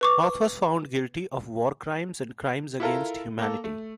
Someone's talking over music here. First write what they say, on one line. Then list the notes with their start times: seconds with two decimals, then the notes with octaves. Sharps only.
Hoth was found guilty of war crimes and crimes against humanity.
0.01 B4 C#6 D6
2.80 E4 F4 A4 A#4
3.39 A#3 A4
3.64 A3